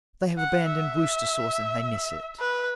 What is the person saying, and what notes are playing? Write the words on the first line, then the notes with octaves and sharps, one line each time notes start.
They have abandoned Worcester sauce, and they miss it.
F#5
E5
B4